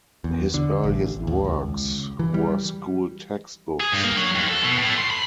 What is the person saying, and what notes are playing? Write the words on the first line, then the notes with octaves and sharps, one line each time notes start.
His earliest works were school textbooks.
E2
D3
A1
D#2
C#2
E3
G3
G#4
G2
A#3
F#3
D#2
A4
B2
A2
C6
B5